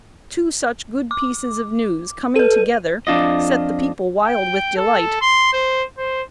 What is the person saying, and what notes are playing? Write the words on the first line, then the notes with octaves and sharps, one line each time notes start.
Two such good pieces of news coming together set the people wild with delight.
D6
A4 B4 D#7
F2 D4 F4 D#5
G5
A4
C6
C5
C5